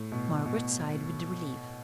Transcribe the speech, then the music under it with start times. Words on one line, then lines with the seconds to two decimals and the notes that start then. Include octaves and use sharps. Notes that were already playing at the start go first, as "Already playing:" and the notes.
Margaret sighed with relief.
Already playing: A2
0.12 B2
0.45 B2